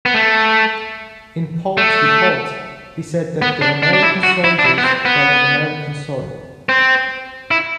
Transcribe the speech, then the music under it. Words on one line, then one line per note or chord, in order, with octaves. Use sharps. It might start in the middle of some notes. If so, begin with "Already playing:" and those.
In Polk's report, he said that the American soldiers fell on American soil.
B3
A3
A3
B3
D4
D4
D4
E4
F#4
E4
D4
E4
B3
C4
B3
C4
E4